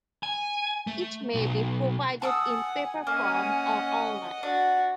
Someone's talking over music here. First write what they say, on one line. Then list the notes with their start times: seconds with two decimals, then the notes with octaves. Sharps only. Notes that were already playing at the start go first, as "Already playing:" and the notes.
It may be provided in paper form or online.
0.23 G#5
0.87 A3
1.35 B1
2.22 F#5 G#5 A5 D#6 E6
3.07 A#3 C#4 D#5 F#5
4.43 D4 F#4 F#5